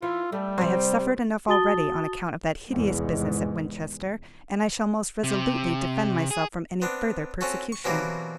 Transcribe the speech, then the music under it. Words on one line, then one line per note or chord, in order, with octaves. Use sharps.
I have suffered enough already on account of that hideous business at Winchester, and I shall most resolutely defend myself from any further persecution.
E3 F4
G3 A3
C3 C4
F#4 A5 D#6 A6 G7
F1 E2 G#2 G#3 B3
C3
G#4
B3 C4 D4
C4 C#4 F#4 A4
C#6
B2 E3 F#3 G3 A#3 C4